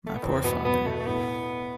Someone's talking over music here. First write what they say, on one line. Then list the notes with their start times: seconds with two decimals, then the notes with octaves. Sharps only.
My poor father!
0.06 A3
0.15 B3
0.23 E2 C4
0.44 B2 B3
0.64 B2 B3
0.85 B2 A3
1.00 A3
1.06 A2 B3